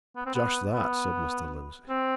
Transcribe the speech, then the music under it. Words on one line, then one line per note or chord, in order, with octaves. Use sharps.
"Just that," said Mr. Lindsey.
B3
C4
B3
B3
C4